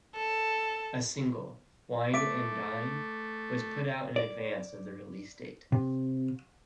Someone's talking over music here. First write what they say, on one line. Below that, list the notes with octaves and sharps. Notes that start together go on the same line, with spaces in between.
A single, "Whine and Dine", was put out in advance of the release date.
A4
A3 E5 D6 D7
D5
C3